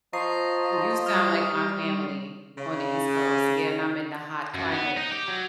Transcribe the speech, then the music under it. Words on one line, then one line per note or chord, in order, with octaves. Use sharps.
You sound like my family on the East Coast yeah, and I'm in the hot climate.
F3 D#5 A#5 C#6 A#6 C7
G3 D#6 F6
C#3
F#2
B3
D#4
G4
F#3